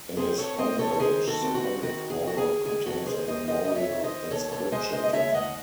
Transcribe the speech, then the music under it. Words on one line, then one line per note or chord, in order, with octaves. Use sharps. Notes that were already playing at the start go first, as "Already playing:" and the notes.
In his home village, the public hall contains a memorial inscription to him.
C4 G#4 C5
A4 C#5
C4 C5 D#5
A4 C#5
A4
D#3 G#4 C5
F#4 A4
C4
F#4
D#3 F#4
G#4
D#3 F#4
G#4
D#3 G#4
F#4 A4
C#5
G#3 G#4 C5
C5 D#5
D#2 C5 D#5
D#5
C#5 E5
D#3
C5 D#5
D#2 A4 C#5
A4 C#5
G#3 C5 D#5
C5 D#5
D#5
D#2 C#5 E5
D#5 F#5